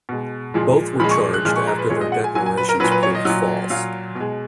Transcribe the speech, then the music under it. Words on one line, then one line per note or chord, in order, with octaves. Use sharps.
Both were charged after their declarations proved false.
B2 G#3
A#2 F3 G#3
A#2 F3 G#3 B5
C#6
F#6
A#2 F3 G#3 F6
C#6
A#5
B4
A#2 F3 G#3 C#5
D#5
F#5
G#5
A#2 F#3 G#5
G#5
B4
A#4
A#2 F#3 B4
B4
C#5
D#5
A#2 F#3
A#2 F#3 F5
B2
G#3